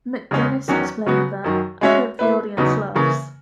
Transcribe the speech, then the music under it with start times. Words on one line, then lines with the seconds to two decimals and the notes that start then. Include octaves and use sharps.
McGuinness explained that: I hope the audience laughs.
0.31 E2 C#3 G#3 C#4
0.68 E2 D#3 F#3 C#4 F#4
1.06 C#3 F#3 B3 F#4
1.44 F#2 D#3 F#3
1.81 G#3 C#4 F#4 C#5 E5
2.19 A#3 E4 B4
2.57 E2 C#3 F#3 B3 D#4
2.95 C#3 E3 A#3